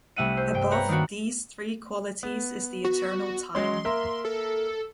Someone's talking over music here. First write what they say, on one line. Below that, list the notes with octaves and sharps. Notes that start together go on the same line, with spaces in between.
Above these three qualities is the eternal time.
C2 C3 A3 E5 F#5 D#7
C5
G2 G5
B4 C#5 A#5
D#3 A#3 D4 F#4
B3
F#4
F#3 G#3 C#4 C6
A#3 A#4 E5
A4